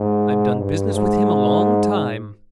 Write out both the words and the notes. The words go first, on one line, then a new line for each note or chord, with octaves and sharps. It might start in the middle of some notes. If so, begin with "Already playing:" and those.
I've done business with him a long time.
Already playing: G#2
G2
G#2